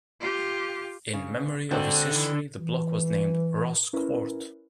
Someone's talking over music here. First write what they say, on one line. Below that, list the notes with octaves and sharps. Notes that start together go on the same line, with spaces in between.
In memory of its history the block was named Ross Court.
F4 G4
C#3
G#2 D3 C4 D4 F#4
D#3 E3
E3
C#4 E4 A#4 B4